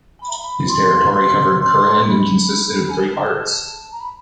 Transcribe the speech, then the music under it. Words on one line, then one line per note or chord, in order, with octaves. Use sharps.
His territory covered Kurland and consisted of three parts.
B5
A#5
B5
C6
B5
C6
C6
B5
G#5
A5
A5
A#5
B5